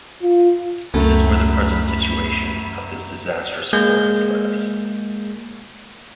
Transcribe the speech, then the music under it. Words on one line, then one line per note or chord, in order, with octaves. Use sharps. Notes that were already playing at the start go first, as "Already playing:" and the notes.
This is where the present situation of this disastrous war has led us.
F4
C#2 F#2 A3 B5
G#3 A#3 G#4 G6